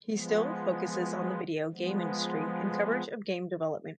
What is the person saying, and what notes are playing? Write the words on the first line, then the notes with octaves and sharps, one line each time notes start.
He still focuses on the video game industry and coverage of game development.
F3 G#3 B3
F3 G#3 B3